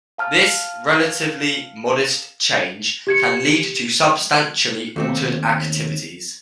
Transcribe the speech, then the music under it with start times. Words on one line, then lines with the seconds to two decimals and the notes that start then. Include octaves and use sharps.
This relatively modest change can lead to substantially altered activities.
0.18 F5 A5 F6
3.07 G4 G#6 C#7
4.96 D#2 A3 C4